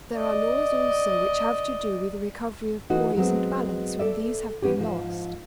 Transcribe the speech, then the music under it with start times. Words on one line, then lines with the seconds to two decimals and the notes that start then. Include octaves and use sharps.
There are laws also which have to do with the recovery of poise and balance when these have been lost.
0.14 D5 D#5
2.90 E3 A3 D#4 F#4
3.17 F#3 G#3 B3 C4
3.99 A4 D5 E5
4.62 E3 G3 B3 C#4 G4
4.77 G#2 F3